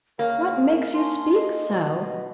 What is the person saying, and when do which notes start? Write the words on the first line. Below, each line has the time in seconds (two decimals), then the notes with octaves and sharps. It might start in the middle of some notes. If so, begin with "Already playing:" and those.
What makes you speak so?
0.19 C#3 A#3 A#4
0.95 C#4 D4 C6
1.33 D#5
1.70 B2